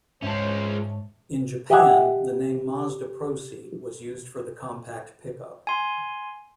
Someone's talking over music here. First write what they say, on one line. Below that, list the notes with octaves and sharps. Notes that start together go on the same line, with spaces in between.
In Japan, the name Mazda Proceed was used for the compact pickup.
G#2 G#3 C#4 C5 C#5 E5 A5
G4 D#5 E5 F#5 G#5
G#5 C6